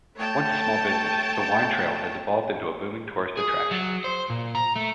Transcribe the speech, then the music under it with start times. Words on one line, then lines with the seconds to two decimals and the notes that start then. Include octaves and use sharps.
Once a small business, the wine trail has evolved into a booming tourist attraction.
0.17 A3 C#5 G5 A5
3.37 G#4
3.71 F#3
4.04 C5
4.30 A#2
4.55 A#5
4.76 A3